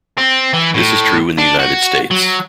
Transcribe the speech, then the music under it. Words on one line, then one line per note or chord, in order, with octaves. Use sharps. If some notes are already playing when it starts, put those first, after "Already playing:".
This is true in the United States.
C4
E3
A2
D4
F#4
F#3